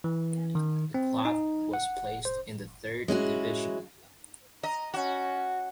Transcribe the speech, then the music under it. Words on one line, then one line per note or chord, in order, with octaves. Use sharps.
The club was placed in the third division.
E3
D#3
C4
D#4
F#5
C5
G#3 C#4 E4 F#4
D#5 A#5
C#4 F#4